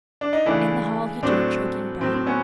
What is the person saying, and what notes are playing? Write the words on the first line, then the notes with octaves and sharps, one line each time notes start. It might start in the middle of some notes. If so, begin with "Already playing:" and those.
In the hall he drew a choking breath.
D4
D#4
C#3 E3 A3 D4 E4
A2 F#3 A3 C4 D4
A2 F#3 A3 C4
C4
B3 C#4